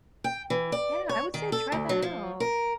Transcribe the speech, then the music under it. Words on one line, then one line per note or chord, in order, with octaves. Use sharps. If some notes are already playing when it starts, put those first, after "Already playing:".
Yeah, I would say try that out.
G5
E3
D5
C#5
D#3
A4
D2
F#3
F3
A#4